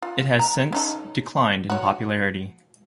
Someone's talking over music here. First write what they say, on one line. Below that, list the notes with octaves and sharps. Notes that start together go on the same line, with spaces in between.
It has since declined in popularity.
F4
A#5
C#4 D#4 A4
F#4 C#5